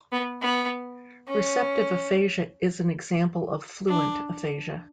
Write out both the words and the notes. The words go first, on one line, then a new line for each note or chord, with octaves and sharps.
Receptive aphasia is an example of fluent aphasia.
B3
B3
C#4
D4